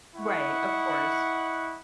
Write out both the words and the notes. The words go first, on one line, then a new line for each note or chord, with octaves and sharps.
Right, of course.
E4 D#5 F#5 C#6